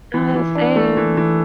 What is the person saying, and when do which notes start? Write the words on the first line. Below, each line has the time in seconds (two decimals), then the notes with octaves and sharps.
Uh, same.
0.14 E3
0.35 E3
0.55 D4
0.76 A3
0.97 E3
1.17 E3